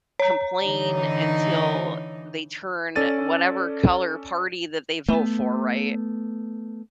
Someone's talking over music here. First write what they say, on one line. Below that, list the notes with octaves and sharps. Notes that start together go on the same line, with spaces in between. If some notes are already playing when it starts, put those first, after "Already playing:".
complain until they turn whatever color party that they vote for, right?
C#5 A#5
D3 E3 D#4
C#4 A4 D5 A6 D#7
A3 B3